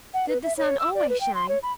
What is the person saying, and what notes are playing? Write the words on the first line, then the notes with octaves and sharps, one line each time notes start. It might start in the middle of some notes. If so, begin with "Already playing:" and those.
Did the sun always shine?
F#5
B4
E5
C#5
E6
D5
B4
G5
C6
C#5
B5